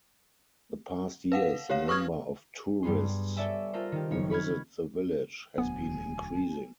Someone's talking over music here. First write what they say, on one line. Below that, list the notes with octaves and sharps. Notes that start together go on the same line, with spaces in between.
The past years the number of tourists who visit the village has been increasing.
B4 F5 F#5
G4 C#5 F5
B4 C#6 D#6 F6 G#6
G2 G3 B3 G#4 C6
A4 C#5 D5 E5 G#5
F4 A4 A#4 C5
D#3 G4
F#1 C#5
C#5 B5 F6 G#6
E1 D2 F#3 B3 G#5